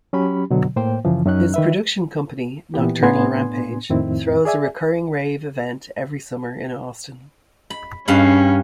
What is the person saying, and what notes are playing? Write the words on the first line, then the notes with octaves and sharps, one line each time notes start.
His production company "Nocturnal Rampage" throws a recurring rave event every summer in Austin.
F#3 C#4 G4 B5
B2 D3 F#3
A2 A#3 C5 G5
F#2 C#3 E3 F3
F#2 F#3 C#4 D#4 F#6
D#3 B4 E5
A#2 E3 B3 G4
A2 B3 D4 G#5 C6 G#6
F2 A2 D#3 C4 E4
G#4 D5 E5 G#5
B5
G2 C#4 F5 B5